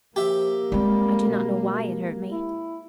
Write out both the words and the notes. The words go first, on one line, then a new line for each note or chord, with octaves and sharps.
I do not know why it hurt me.
F3 A#3 G4 E5
G3 G#3 C4
B2
E4